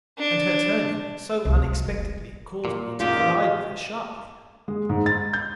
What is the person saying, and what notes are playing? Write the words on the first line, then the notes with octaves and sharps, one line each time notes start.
And her turning so unexpectedly caused me to collide with her sharply.
D4
C2
E3
G#3
G3
B3
A#2
F#2 A#2 D#3 E4 F4 G4 G#4 D6
D5 F5
G#3
G#2
A6
G6